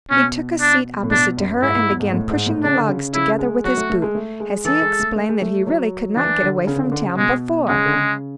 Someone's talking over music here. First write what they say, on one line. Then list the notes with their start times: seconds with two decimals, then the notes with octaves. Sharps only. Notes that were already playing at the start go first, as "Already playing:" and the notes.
He took a seat opposite to her, and began pushing the logs together with his boot, as he explained that he really could not get away from town before.
0.10 B2 C#4
0.61 D4
1.04 A2
1.11 B2 D4
1.37 F#2
1.62 G#2 E4
1.75 G#2
1.88 E2
2.00 G#2
2.13 A2
2.30 G#2
2.46 A2
2.63 C#3 D4
2.76 D3
2.88 C#3
3.14 C#3 E4
3.39 G#3
3.64 F#3 F#4
3.77 A3
3.90 A3
4.02 G#3
4.15 A3
4.40 G#3
4.65 E3 A4
4.82 G#3
4.99 A3
5.16 A3
5.29 G#3
5.42 A3
5.67 F#3
6.16 E3 D4
6.42 D3
6.67 C#3
6.76 D3
6.84 C#3
6.92 D3
7.01 C#3
7.18 B2 G#3
7.68 C#3 G#3
7.86 D3
7.94 C#3